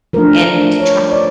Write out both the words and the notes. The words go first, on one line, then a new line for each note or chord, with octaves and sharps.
and trying
F3 A3 D4 A#4
C#5
D5